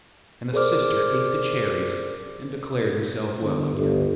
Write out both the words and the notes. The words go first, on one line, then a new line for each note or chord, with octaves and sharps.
And the sister ate the cherries and declared herself well again.
G#4 A#4 C5 D5 D6 F6
G1
G1